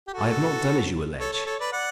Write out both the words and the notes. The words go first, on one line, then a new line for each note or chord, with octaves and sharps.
I have not done as you allege.
G4
F#4 A4
A4 C#5
A4 C#5
A4 C#5
B4 D5
D5 F#5